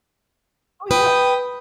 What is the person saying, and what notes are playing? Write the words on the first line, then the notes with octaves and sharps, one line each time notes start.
Oh, yeah.
B4 G5 D#6